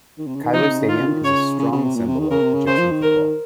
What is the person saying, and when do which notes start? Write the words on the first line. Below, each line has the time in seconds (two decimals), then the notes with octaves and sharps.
Cairo Stadium is a strong symbol of Egyptian football.
0.18 D#3
0.27 C3
0.35 C#3
0.44 D#3
0.53 F3 D#4
0.63 C#3
0.71 C3
0.80 C#3
0.89 D#3 F4
1.00 C#3
1.07 D#3
1.24 C#3 C#5
1.59 C#3
1.72 C#3
1.84 C3
1.95 A#2
2.07 C3
2.19 D#3
2.31 C#3 A#4
2.43 C3
2.54 C#3
2.66 C#3 C5
2.78 F3
2.91 D#3
3.02 A#4